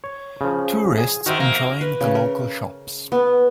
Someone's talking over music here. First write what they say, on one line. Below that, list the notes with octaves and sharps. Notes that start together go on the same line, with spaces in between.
Tourists enjoying the local shops.
C#5
C#3 F3
G#4
D#3 F#4 C5 E5
A#3
B4
C#3
A#4
B3